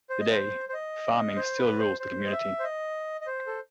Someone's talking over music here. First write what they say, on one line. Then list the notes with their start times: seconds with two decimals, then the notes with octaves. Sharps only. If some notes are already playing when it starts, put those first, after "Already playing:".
Today, farming still rules the community.
0.10 C5
0.20 D#5
0.31 C5
0.69 C5
0.73 D#5
1.36 C5
1.58 B4
1.79 C5
2.00 C5
2.26 D#5
2.32 E5
2.59 C5
2.64 D#5
3.21 D#5
3.27 C5
3.47 A4